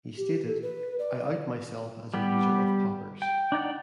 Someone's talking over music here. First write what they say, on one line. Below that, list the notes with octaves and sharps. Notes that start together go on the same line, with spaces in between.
He stated, I out myself as a user of poppers.
G4
A4
B4
D5
G3 B3 G4
G5
D4 D#4 D5 F#5